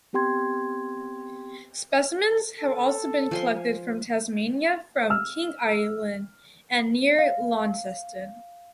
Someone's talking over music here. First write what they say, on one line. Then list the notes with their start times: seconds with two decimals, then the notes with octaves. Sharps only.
Specimens have also been collected from Tasmania from King Island and near Launceston.
0.13 B3 C4 G4 G5 C6 G#6
2.59 A4
3.31 F3 G#5 C6
5.10 E6 F6
7.18 F5